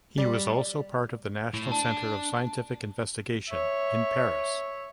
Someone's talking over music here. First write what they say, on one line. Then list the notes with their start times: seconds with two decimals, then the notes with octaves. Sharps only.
He was also part of the National Center of Scientific Investigation in Paris.
0.18 G3
1.54 A2
1.72 D4 A5
3.48 C#5 E5